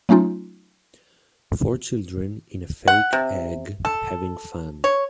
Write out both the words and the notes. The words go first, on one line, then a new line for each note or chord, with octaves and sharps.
Four children in a fake egg having fun.
F#3 A3 C#4 D#4 F4
F#5
C3
A4
C#5